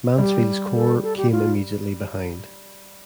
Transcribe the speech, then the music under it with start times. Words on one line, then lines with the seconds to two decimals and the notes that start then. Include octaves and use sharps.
Mansfield's corps came immediately behind.
0.18 G3 G4
0.75 A4
1.03 A4
1.17 G4
1.32 F4